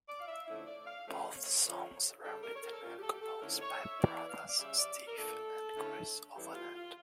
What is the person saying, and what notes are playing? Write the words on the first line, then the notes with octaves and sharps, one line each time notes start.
Both songs were written and composed by brothers Steve and Chris Overland.
D5
F5
E5
F2 D3 A3 C#4 E4 E5
D5
F5
D3 F3 A3 C#4
C#5
D3 F3 C#4 F4
C#3 G3 D4 A4
A#4
C#5
A#4
A4
A#2 G3 C#4 F4 A#4
G4
A4
G4
A4
F2 D3 A3 C#4 E4 A#4
C#5
E5
E2 E3 A#3 E4 D5
F5
D5
C#3 G3 C#4 E5
D5
A#4
A#2 A3 D4 A4
D3 A3 C#4 E4
E2 E3 G3 C#4 E4 G4
F4
F4